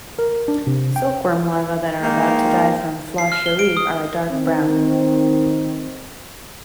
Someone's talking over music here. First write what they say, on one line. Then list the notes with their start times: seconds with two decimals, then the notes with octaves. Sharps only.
Silkworm larvae that are about to die from Flacherie are a dark brown.
0.19 A#4
0.48 D4
0.67 C3
0.96 G5
2.02 D#3 G#3 A#3
3.18 C7
3.32 F6
3.46 G7
3.59 D7
3.77 D#6
4.31 D#3 C4